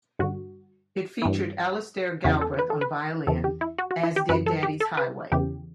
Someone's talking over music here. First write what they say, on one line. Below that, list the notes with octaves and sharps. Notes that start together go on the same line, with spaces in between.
It featured Alastair Galbraith on violin, as did "Daddy's Highway".
G2 D3 F#4
G2 E3
E2 C#3 E3 F#4
A4
B4
A4
B4
E2 C#3 E3 A4
G4
E4
F#4
F#4
E4
G4
F#2 E3 B4
A4
G4
A4
B4
E2 C#3 E3 G4